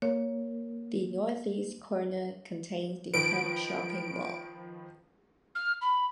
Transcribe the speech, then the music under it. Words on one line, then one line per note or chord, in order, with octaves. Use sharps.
The northeast corner contains The Hub shopping mall.
A#3 A#4 C#5
D#3 F3 B4 D7
F6
B5